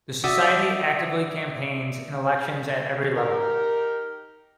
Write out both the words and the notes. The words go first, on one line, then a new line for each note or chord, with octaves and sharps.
The society actively campaigns in elections at every level.
F#4 D5 E5 D#6
D#4 G4 A#4